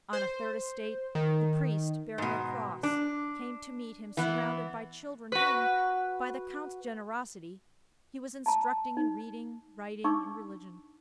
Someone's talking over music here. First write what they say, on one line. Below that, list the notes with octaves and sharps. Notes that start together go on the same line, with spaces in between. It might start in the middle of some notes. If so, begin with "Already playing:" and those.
On a third estate the priest, bearing a cross, came to meet him surrounded by children whom, by the count's generosity, he was instructing in reading, writing, and religion.
C5
D#3
G#2 B2
D4
E3 B3
F#4 B4
A5 A#5
D#4
D4 D#4 C#6 D6 E6